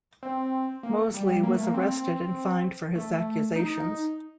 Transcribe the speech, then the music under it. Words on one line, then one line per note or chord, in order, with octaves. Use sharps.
Moseley was arrested and fined for his accusations.
C4
A#3
G3
G3
A#3
A3
A#3
C4
A3
D#4